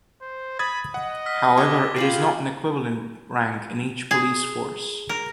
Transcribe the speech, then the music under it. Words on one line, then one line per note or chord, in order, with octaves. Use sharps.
However, it is not an equivalent rank in each police force.
C5
B5 D#6 G#6 A6
D#5 F#5
E6 F6 B6
G4 D6 G#6 G7
F4 G4 G#4 B4 C7 F#7
G#4
A#4